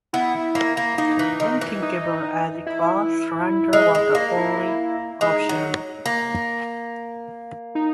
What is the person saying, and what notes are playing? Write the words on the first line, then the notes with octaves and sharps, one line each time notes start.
Unthinkable as it was, surrender was the only option.
B3 E4
A#3
A#3
A#3 D#4
E3
D#3
E3
D#4
E4
G#3
G#3
A#3
E4
G#3 D#4
F#3
A#3
D#4